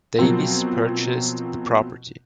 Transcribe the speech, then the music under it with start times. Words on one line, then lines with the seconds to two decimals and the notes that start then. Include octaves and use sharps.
Davis purchased the property.
0.19 B2 F3 F#3 A#3 C4